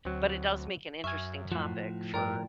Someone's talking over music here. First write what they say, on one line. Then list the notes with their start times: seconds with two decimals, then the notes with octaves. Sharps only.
but it does make an interesting topic for
0.05 D2 F#3 C4
1.04 F#2 E5 G#5 C#6 F6 G#6
1.52 A2 F3 F#5
2.14 G2 A#4 D5 G5